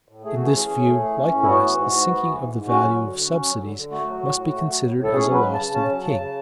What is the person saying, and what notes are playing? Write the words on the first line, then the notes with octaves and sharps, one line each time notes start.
In this view, likewise, the sinking of the value of subsidies must be considered as a loss to the king.
A2
A3 G#4
E3 F#4
G#4
C#4
A2
A3
E3
C#4
A2
E4
B3 F#4
E3
G#2
G#2
B3
E3
G#2
G#2
C#4 F#4
F#3
D3
D3
C#4
F#3
D3
D3
A3 F#4
F#3
A2
A2
A3
F#3
A2
A2
A4
C#4 G#4
F#3
B4
C#3
A5
C#3
C#4 A5
F#3
C#3
C#3